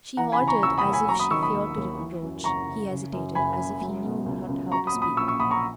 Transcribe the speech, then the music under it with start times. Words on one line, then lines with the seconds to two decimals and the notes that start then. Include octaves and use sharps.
She halted, as if she feared to approach--he hesitated, as if he knew not how to speak.
0.17 E3 F#5 A#5
0.32 G#5 B5
0.41 C#3
0.48 A#5 C#6
0.63 D#2 C#6 E6
0.78 B5 D#6
0.85 D#2
0.93 G#5 B5
1.08 F#3 A#5 C#6
1.19 B5 D#6
1.31 D#3 C#6 E6
1.43 B5 D#6
1.54 D#2
1.77 D#2
1.99 E3
2.22 F#2
2.44 F#1 A#5 C#6
2.67 F#1
2.91 C#3
3.13 F#2
3.35 F#1 G#5 B5
3.58 F#1
3.81 F#3
4.04 B2
4.26 C#2
4.48 C#2
4.71 F#3 A#5 C#6
4.87 B5 D#6
4.94 A#2
5.02 B5 D#6
5.17 A#1 C#6 E6
5.28 C#6 E6
5.39 A#1 B5 D#6
5.51 A#5 C#6